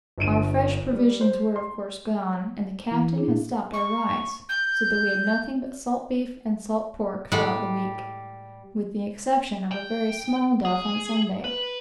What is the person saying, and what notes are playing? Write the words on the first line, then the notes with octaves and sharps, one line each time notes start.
Our fresh provisions were, of course, gone, and the captain had stopped our rice, so that we had nothing but salt beef and salt pork throughout the week, with the exception of a very small duff on Sunday.
G1 D3 D7 D#7
G3
C5
C6
E3
D4 E4 G#4
A#2
C#6
G6
A2 G3 G#3 F#5
G5
G#4
B4